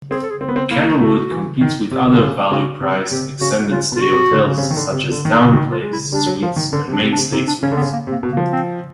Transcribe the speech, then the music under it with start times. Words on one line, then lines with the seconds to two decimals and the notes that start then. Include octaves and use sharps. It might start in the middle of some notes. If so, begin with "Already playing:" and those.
Candlewood competes with other value-priced, extended-stay hotels such as TownePlace Suites and Mainstay Suites.
0.11 C4 G#4
0.23 A4
0.31 G#4
0.41 C4
0.49 B3
0.56 C4
0.70 A#3 E4
1.00 A3 F#4
1.31 E3
1.61 D#3
1.91 C3
2.13 D3
2.21 C#3
2.51 C#3 F#4
2.81 C3
3.11 C3 G4
3.41 C#3 F#4
3.71 C#3 F4
3.92 B2
3.96 F4
4.01 F#4
4.12 C3
4.31 D3
4.46 C#3
4.58 C#3
4.61 C3
4.71 D#3
4.76 D3
4.92 C3
5.12 D3
5.25 D#3
5.32 D3
5.52 D#3 F#4
5.72 F4
5.82 G#3
5.92 E4
6.12 G3 D4
6.26 F#3
6.43 F3
6.56 D#3
6.72 D3 C#4
6.88 C3
6.93 D4
7.02 C3
7.12 D4
7.17 C3
7.32 C3 D#4
7.48 D4
7.63 C#3 C#4
7.72 D3
7.77 B3
7.81 C#3
7.93 A#3
8.07 C3
8.12 A#3
8.23 B2
8.32 A#3
8.37 F3
8.52 C4